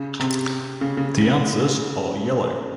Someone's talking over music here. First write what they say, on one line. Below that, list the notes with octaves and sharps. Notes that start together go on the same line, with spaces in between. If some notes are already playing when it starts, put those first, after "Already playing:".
The anthers are yellow.
Already playing: C#3
C3
C#3
C#3
C#3